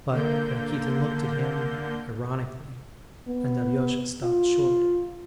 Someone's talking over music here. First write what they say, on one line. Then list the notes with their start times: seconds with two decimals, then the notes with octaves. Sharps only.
But Rakitin looked at him ironically and Alyosha stopped short.
0.11 D3 A#3 G6
3.28 B3
4.23 F4